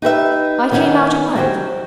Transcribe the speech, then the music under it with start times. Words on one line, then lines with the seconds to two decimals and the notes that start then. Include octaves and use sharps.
I came out at once.
0.02 D#4 G4 B4 E5
0.71 D#3 B3 C#4 D#4 E4
1.36 F#3 G4 C5